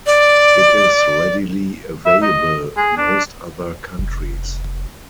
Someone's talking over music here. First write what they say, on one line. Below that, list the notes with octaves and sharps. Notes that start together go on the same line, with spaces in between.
It is readily available in most other countries.
D5
E5
D#5
G#4
D4
F1